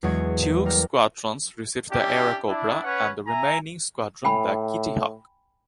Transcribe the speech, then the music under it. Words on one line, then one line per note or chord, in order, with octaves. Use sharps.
Two squadrons received the Airacobra and the remaining squadron the Kittyhawk.
E2 F#3 G#3 F#4 G#6
G3 A#4
C#4 D4 E4 G4
D4 E4
C#4 B4 C#5 F#5
E5 G#5 A#5
A2 G5 G#5 B5